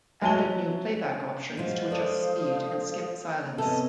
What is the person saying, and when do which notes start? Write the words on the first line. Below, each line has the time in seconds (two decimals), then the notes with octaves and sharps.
Added new playback options to adjust speed and skip silence.
0.22 F#3 E5 A5 D#7 G7
1.57 F3 F#3 G#3
1.91 A4 C5 D5 F5 D#6
3.58 C3 B3 C#4 A4 D#5 A5